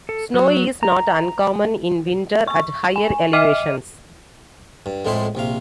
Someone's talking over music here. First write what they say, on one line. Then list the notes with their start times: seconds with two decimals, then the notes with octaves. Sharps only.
Snow is not uncommon in winter at higher elevations.
0.09 A4
0.34 F#3
0.83 A#5
2.48 C#6
2.96 G#5
3.33 D#5 E5 D6 F6 D#7
4.86 G2
5.05 F2 A2 G#3 E4 C5 A5
5.35 A#1 C3 F5